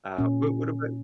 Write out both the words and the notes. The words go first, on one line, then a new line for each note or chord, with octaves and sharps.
Uh, but what about
A#2 C#4